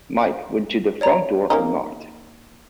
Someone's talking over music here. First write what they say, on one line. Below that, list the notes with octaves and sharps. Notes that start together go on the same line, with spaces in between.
Mike went to the front door and knocked.
C#5 D5 A#5
A#3 C#4 D#4